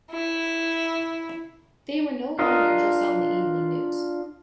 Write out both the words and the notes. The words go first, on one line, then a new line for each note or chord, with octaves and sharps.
They were no longer just on the evening news.
E4
D4 F4 A#4 D#5